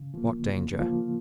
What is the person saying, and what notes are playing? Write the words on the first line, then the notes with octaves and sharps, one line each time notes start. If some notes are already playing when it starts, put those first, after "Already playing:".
"What danger?"
Already playing: C#3
F3 A#3
C#3
F3 A#3